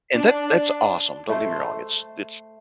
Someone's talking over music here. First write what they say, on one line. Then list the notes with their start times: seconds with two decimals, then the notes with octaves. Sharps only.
And that that's awesome. Don't get me wrong. It's it's,
0.14 D4
1.29 A3 C5